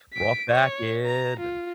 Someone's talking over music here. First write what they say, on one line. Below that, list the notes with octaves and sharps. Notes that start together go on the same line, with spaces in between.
brought back in, and
B6 D7
C#5
A#5
F4